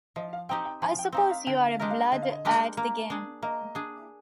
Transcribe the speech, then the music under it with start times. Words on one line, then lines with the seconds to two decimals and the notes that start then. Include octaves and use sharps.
I suppose you are a blood at the game?
0.16 F3 D#5
0.33 F5
0.49 C4 D#4 G4 G5
0.66 G5
0.82 F3 G#5
0.99 G5
1.12 C4 D#4 G4 F5
1.31 F5
1.47 D3 G5
1.69 F5
1.80 G#3 D4 G4 A#4 D#5
1.91 F5
2.12 D3 D#5
2.22 F5
2.32 D#5
2.45 G#3 D4 G4 A#4
2.77 A#3
3.10 D4 G#4
3.42 A#3 D#5
3.75 D4 G#4